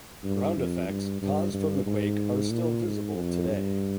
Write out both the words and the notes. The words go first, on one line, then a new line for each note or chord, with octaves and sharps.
Ground effects caused from the quake are still visible today.
G2
F2
G2
G2
G2
G#2
A#2
G#2
F2
G2